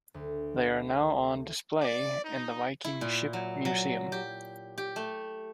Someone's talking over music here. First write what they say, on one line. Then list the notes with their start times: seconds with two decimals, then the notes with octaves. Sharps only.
They are now on display in the Viking Ship Museum.
0.14 D2
1.80 D5
2.23 D#4
2.84 E4
3.01 A#2
3.33 F#3
3.65 F#3
4.12 G4
4.78 G4
4.96 A3